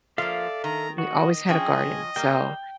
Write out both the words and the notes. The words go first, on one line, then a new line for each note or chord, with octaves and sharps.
We always had a garden, so,
F3 A#3 A4 D5 E5 F5
D#3 A#5
F#4 D#5
F3 C#4 G#4 G5
G3 A#3 G5